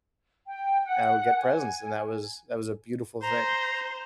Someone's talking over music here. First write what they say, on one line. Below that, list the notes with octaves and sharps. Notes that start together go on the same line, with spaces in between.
and I would get presents and that was that was a beautiful thing
G5
F#5
G#5
C5 A#5